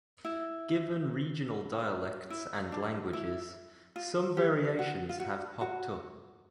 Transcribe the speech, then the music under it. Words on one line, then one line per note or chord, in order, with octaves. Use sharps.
Given regional dialects and languages, some variations have popped up.
E4
E4
D4
E4
F4
G4
F#4
F4
F#4
F#4